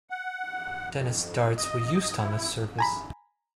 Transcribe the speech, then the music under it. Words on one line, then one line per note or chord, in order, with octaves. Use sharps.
Dennis Darts were used on this service.
F#5
F2
D#5
E4
G#5 A#5 B5